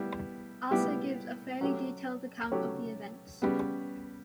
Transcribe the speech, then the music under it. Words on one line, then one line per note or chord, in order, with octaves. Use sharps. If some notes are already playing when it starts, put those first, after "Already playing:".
Asser gives a fairly detailed account of the events.
Already playing: G3 B3 E4
G3 B3 E4 G4
F#3 A3 C#4 G4
F#3 A3 C#4 G4
C#3 G3 B3